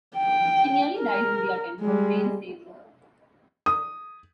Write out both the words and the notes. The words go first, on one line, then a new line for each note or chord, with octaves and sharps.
She nearly dies in the attempt, but Bane saves her.
G5
A#4
G3 G#3
D#6